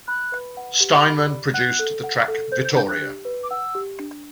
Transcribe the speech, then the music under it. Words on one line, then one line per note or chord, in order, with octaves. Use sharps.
Steinman produced the track Vittoria!
B5 F#6
B4
F#5
G4
B5
D5
F#5 F#6
A4
F#5
A4
C5 G6
G6
D4 G6
F#6
G4
B4
D6
F#5 E6
G4
D4